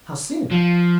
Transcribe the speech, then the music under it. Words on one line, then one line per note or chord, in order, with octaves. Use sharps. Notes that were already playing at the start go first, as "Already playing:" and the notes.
"How soon?"
F3